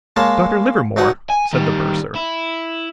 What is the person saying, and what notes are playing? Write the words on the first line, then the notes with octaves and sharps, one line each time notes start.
"Dr. Livermore?" said the bursar.
G#3 A#3 C#5 A5
G2 F#3 D#4 D#5 F#5
G#5
D#3 G3
E4